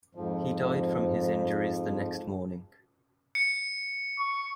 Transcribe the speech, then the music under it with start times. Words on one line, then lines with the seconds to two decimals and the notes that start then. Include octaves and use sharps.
He died from his injuries the next morning.
0.15 F2 G#2 F3
3.35 C#7
4.19 C#6